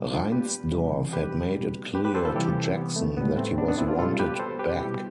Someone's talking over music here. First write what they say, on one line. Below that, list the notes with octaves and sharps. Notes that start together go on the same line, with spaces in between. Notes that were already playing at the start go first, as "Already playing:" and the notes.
Reinsdorf had made it clear to Jackson that he was wanted back.
Already playing: B2 G3
D4 F4
G4 B4
C3 E3 G3
G4 B4
B2 G3
G4 B4
G4 B4
A4 C5
F4 A4
C3 E3 G3 E4 G4
B3
A3
A2 G3 B3
A3 C4
B3 D4
B3 D4
C4 E4
D4 F4
B2 G3 F4 A4
G4 B4
A4 C5
G4 B4
B2 G3 E4 G4